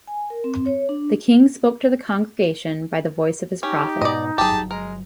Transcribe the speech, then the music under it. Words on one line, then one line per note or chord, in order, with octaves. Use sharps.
The king spoke to the congregation by the voice of his prophet.
G#5
A#4
C4
C#5
D4
C#4 D#4 G4
G#2 B2 D5 D#5
G1 F#3 G4 G#4 A5
G#3 A#4